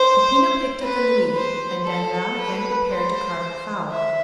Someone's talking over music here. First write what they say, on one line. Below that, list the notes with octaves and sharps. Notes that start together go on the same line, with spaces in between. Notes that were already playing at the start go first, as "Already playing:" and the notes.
Peppino picked up the louis, and Danglars again prepared to carve the fowl.
Already playing: C5
B4
C5
A4
B4
C5
E5